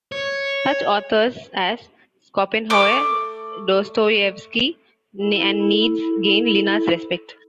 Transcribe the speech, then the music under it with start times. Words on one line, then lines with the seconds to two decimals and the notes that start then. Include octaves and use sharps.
Such authors as Schopenhauer, Dostoyevsky, and Nietzsche gained Linna's respect.
0.12 C#5
2.70 A3 D6
5.22 E4 A4